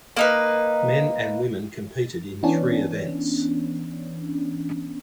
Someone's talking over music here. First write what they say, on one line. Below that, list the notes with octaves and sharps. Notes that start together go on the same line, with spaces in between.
Men and women competed in three events.
A#3 D#4 B4
E3 B3 C#4 D4